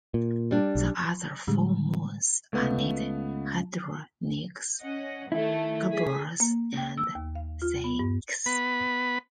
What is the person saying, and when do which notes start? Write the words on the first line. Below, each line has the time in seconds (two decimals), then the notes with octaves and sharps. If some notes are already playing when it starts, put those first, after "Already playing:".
The other four moons are named Hydra, Nix, Kerberos, and Styx.
0.14 A#2
0.51 G3 D4
0.75 B1
1.47 A2 D3 G3 G#3
2.53 C#2 A3 B3
4.82 C#4 D#5 F#5
5.32 D#3 A3 E4 A4
5.91 G#4 B6
6.40 A#3
6.77 G5
6.98 E6
7.15 D#2
7.35 F5
7.62 F4
7.84 B3
7.99 G2
8.46 B3 B5